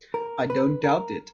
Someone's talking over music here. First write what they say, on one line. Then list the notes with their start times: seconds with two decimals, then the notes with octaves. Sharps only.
I don't doubt it!
0.14 A#4
0.50 B4
0.84 A#4